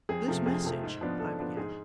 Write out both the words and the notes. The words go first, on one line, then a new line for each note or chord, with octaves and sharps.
"This message," I began...
F2 G#4
C3 F3 A3
F2 G#4
C3 F3 A3
G#2
F3 B3 D4
G#2 A4
F3 B3 D4
G#2 G#4